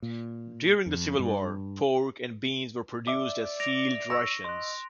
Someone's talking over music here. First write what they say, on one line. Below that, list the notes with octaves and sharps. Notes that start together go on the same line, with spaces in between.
During the Civil War, pork and beans were produced as field rations.
A#2
F2
G2
D5 E5 D6
A#6 D7 F7
C#6 E6 A#6
D#5 C6 F#6